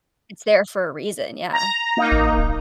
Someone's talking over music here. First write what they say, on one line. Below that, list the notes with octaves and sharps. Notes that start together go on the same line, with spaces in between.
It's there for a reason, yeah.
A#5
A#3 D#4
A1
D1